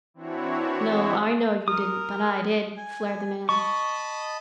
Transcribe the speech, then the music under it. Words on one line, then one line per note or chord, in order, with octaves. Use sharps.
"No, I know you didn't, but I did," flared the man.
E3 C4 D4 E4 F#4 C#5
A#4 D#6
G#5
D#5 A5 B5 C#6